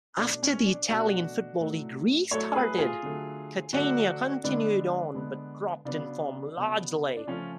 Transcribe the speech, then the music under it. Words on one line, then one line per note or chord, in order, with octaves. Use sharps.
After the Italian football league restarted, Catania continued on but dropped in form largely.
B2 A3 D4
C#4
D4
B2 A3 D4 F#4
A2 F#3 A3
A2 F#3 A3 A4 C#5
G#4 B4
F4 G#4
D3 F#3 A3
D3 F#3 A3 D4 F#4
D3 G#3 B3 D4
D3 G#3 B3
C#3 F#3 B3 D4
C#3 F#3 B3
D4
C#3 F3 A3 C#4 F4